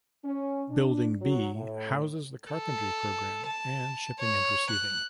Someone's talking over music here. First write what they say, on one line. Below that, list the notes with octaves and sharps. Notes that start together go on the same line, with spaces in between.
Building B houses the Carpentry program and Shipping and Receiving.
C#4
D4
F#3
A2
A4
A5
C#5
F#6